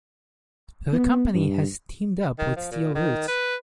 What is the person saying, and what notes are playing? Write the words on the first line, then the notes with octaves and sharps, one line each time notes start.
The company has teamed up with SteelRoots.
B3
G2
D#3
F3
A#2
D#3
B4